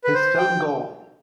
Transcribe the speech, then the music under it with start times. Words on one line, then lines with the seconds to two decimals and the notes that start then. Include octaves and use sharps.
His film Goal!
0.04 B4
0.14 C5
0.38 G5